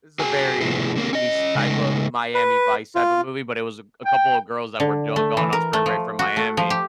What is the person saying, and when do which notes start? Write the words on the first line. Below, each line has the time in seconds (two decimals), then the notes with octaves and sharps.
it was a very niche type of Miami Vice type of movie, but it was a a couple of girls that were don going on spring break from Miami,
0.19 F#4 G#4 G#5
0.61 A2 C3 F3 B3 E4 G#4
0.96 D3 A#3 A#4
1.13 C#4 D#5
1.55 C#3 G#3 A3 D#4
2.35 B4
2.95 F4
4.06 G5
4.80 D3
5.16 A3
5.37 E3
5.53 A#4
5.73 A3
5.86 F3
6.19 F#4
6.37 A3
6.57 F3
6.70 G4